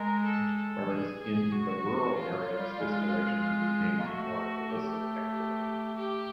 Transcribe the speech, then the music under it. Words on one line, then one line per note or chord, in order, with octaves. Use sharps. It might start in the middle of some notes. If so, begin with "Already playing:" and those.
Whereas, in the rural areas distillation became a more illicit activity.
Already playing: G#3 A#4
A4
A4
G#4
G#4
F#4
E3 F4
F3
F#3
F#3
G3
G#3
A#3
A3 F#4
G4
G4
G4